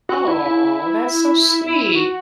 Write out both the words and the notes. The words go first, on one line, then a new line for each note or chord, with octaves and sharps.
Oh, that's so sweet!
F#4
E4
E4
F#4